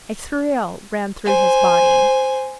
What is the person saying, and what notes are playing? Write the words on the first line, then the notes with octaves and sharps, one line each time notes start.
A thrill ran through his body.
C5 G#5